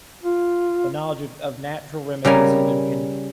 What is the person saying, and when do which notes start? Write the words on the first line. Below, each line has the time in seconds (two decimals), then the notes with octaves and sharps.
The knowledge of of natural remedies even can
0.23 F4
2.25 C#3 G3 A#4 G#5